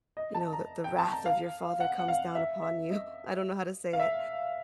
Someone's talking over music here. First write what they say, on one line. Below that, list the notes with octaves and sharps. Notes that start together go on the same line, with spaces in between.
you know, the the wrath of your father comes down upon you, I don't know how to say it,
D#5
A5
A#5
G5
A5
A#5
F5
F#5
F#5
F5
E5
E5
D#5
F5
E5